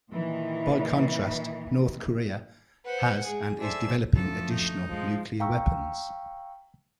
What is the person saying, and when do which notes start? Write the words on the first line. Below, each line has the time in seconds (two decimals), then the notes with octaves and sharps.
By contrast, North Korea has and is developing additional nuclear weapons.
0.10 A#2 D#3 E3
2.85 B4 C5 F#5
3.24 G#3 G#4
3.59 A4 C5 D5 E5 G#5 E6
4.16 F#2 D3 F3 A3 A4
4.50 D#4
4.89 F3 G#3
5.40 F5 G5 A#5 C#6 E6